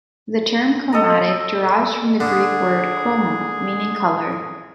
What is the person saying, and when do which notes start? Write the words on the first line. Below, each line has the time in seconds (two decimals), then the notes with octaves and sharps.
The term "chromatic" derives from the Greek word "chroma", meaning "color".
0.93 A4 D#5 A#5
2.21 D3 G#4